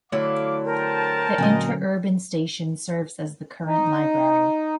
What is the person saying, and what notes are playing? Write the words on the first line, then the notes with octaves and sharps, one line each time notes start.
The interurban station serves as the current library.
D3 F#3 A3 E4 F5 D6
A#4 C5 G5 A5
A#2 D3 F#3 A#3 C#4 D#5
D#4